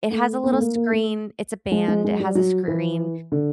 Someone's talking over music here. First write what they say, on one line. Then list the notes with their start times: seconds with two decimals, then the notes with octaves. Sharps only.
it has a little screen, it's a band, it has a screen.
0.11 A3
0.44 B3
0.52 A3
0.60 A#3
0.75 A#3
0.92 A3
1.72 G#3
1.88 G#3
2.04 G#3
2.20 G3
2.35 F#3
2.68 E3
3.32 D3